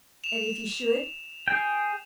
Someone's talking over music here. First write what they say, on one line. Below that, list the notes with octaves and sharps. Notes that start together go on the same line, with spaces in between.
"And if he should?"
E7 F7
G#4 G5